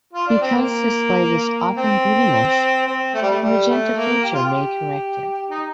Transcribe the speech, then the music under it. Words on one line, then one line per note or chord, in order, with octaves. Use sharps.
Because this light is often greenish, a magenta filter may correct it.
F4
D4
C4
A#3
C4
C4
A3
G3
A3
G3
A3
A#3
G4
F4
G4
D#4